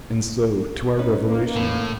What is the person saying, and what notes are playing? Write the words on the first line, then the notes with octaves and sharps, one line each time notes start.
And so to our revelation.
C#4 D#4 B4
A#3
A2